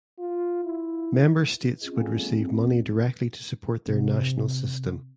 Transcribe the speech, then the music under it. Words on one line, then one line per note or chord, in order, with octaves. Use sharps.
Member States would receive money directly to support their national system.
F4
E4
C4 C#4 F4 G#4 D#5
A4 D5 F5 G5 G#5
E3 F#3 G#3 A#3 D4
C4
D#2
C3